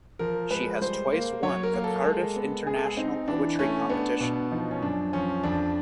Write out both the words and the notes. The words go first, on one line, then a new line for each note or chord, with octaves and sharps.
She has twice won the Cardiff International Poetry Competition.
F3 A#4
G#3 B4
G3 C5
A#3
F#3 C#5
A#4
A#3
A4
G#3
B3
G#3 G#4
A4
G#4
C4 D#4
E3 D4
A3 C#4
B3 D4
B2
F3 D#4
C#4
F#2 D4
F3 C#4
F2 D4